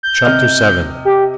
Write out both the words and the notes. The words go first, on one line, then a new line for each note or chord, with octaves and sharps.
Chapter VII.
G6
C3 D#5 F6
G4